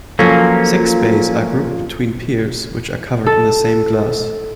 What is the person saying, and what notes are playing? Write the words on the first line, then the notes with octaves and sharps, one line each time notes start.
Six bays are grouped between piers which are covered in the same glass.
F3 F#3 A#3 C#4 F4 A4 G#6
A4